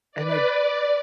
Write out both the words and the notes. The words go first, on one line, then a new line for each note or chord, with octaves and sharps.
And I
B4 D5
D5